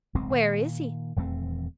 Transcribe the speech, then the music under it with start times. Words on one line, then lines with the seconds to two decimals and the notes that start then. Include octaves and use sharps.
"Where is he?"
0.14 D1 B1 G#3 C4
0.32 A#2 D#3
1.16 D#1 E2 A3 C4